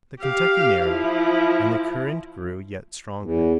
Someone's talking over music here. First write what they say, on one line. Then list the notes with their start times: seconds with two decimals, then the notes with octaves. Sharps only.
The Kentucky narrowed and the current grew yet stronger.
0.19 G4 F5
0.85 F3 E4
3.22 E2